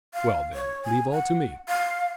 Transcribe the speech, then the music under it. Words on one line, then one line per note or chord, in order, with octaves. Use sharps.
"Well then, leave all to me!"
F5
C#5
G#5
F#5
F5